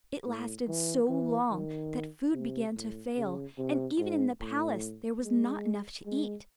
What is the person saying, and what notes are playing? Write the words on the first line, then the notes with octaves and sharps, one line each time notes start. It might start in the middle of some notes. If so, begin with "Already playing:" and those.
It lasted so long that food began to fail, and even in the palace there was not enough to eat.
A2
E3
E3
D#3
C3
A2
C#3
C3
G#2
A2
G#3
G#3